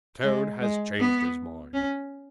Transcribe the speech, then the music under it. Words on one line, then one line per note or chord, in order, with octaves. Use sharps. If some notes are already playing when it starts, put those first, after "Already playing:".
Toad has changed his mind.
G#3
G#3
B3
C#4